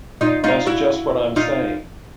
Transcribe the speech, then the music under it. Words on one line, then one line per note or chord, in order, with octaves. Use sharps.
That's just what I'm saying.
D#4 F4
D#4 F4
E4 F#4
D#4 F4